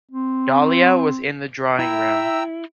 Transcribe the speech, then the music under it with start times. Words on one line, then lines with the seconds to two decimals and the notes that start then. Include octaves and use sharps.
Dahlia was in the drawing-room.
0.11 C4
1.79 E4 E5 G5 A#5 E6